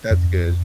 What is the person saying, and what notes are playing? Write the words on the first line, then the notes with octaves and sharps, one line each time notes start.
That's good.
F2